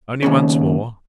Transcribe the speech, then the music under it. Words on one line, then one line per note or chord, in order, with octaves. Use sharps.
"Only once more."
D#2 A2 C#3